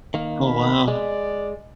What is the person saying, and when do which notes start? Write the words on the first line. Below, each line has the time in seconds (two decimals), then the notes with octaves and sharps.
Oh, wow.
0.14 D#3 A#3
0.44 B5
0.88 G#3 D5